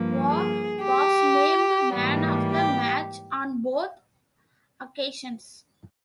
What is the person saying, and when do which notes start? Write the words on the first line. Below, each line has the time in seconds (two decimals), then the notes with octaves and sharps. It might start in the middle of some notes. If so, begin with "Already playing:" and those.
Waugh was named man of the match on both occasions.
Already playing: G2 F3 A#3
0.29 G#4
0.83 G4
1.95 G#2 E3 G3 A#3
2.50 G4